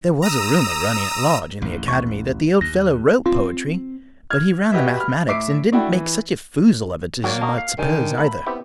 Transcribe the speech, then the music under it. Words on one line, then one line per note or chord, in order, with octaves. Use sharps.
There was a rumour running at large in the Academy that the Old Fellow wrote poetry, but he ran the mathematics and didn't make such a foozle of it as you might suppose, either.
A#5 D#6 E6
A1 D#2
C#6
D#2 A#6
C4 F4
F6 G#6
F#4 G4 B4 D#5 E5
B5 F6
A2 E5 D6 C7 D7
A3 D4 E4 F#4 G5
E3
F#3 A#3 F#4 C#5 D5 F5 F#5
F#4 D#5 A5 A#5
F5
D3 D#3 G3 G#5
A3 A#3 B5
B3 C4 E4 G4